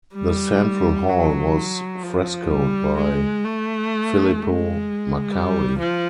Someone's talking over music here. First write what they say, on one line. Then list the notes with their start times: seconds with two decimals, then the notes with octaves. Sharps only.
The central hall was frescoed by Filippo Maccari.
0.15 G3
1.09 F#3
2.03 F3
2.50 G3
2.96 G#3
3.44 A3
4.38 G#3
5.32 G3
5.79 F3